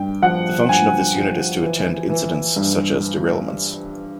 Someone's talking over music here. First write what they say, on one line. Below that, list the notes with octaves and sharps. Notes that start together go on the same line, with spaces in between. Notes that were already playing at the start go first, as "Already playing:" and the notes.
The function of this unit is to attend incidents, such as derailments.
Already playing: G2 G5
F3 F#5
G2 G#5
F3
E3
E3
G2